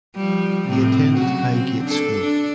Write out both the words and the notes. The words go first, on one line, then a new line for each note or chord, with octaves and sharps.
He attended Highgate School.
F3 G3
A2 C3 C4
C#3 F#3 F#4
C4
D4 A4
D4